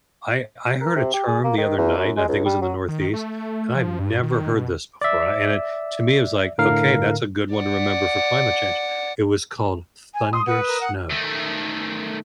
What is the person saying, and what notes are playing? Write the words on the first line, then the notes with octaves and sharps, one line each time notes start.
I I heard a term the other night, and I think it was in the Northeast, and I've never heard this before, and it to me, it was like, "Okay, that's a good one to remember for climate change," it was called "thundersnow."
A#4
C3
G4
G#4
A#3
D#3
E2
F#2
G#3
C#2
G3
F#3
D#3
A3
F3
G2
D#3
B2
D5 E5
A2 D3 A#4 F5
D5 F#5
G#5
C6 D#6
B4 F#5
A#4
F#5
D#3 A3